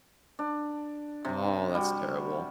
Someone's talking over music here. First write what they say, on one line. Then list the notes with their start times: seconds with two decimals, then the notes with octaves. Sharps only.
Oh, that's terrible.
0.39 D4
1.25 C3
1.75 G3 F#4